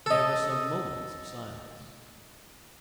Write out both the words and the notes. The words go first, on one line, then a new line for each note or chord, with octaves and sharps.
There were some moments of silence.
A4 D#5